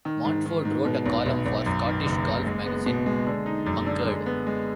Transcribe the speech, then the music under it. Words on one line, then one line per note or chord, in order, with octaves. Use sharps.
Montford wrote a column for Scottish golf magazine, "Bunkered".
D#3
G#2
D#3
G#2
B2
B1
B1
B1
F#2
D#3
F#1
F#1
G#3
B3
B2
G#3
D3
D#4
F#2
D3
G#3
B3
G#3